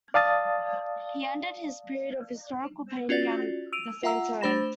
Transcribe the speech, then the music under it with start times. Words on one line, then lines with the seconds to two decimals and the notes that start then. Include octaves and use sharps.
He ended his period of historical painting at the same time.
0.14 D5 F5 A5 D#6 A6
3.09 C#4 F4 F#4 D5 A6
3.73 E6 D7 D#7 F7
4.03 F4 E5 F#5 A#5 E6
4.41 A3 D4 C5 B5 A#6 E7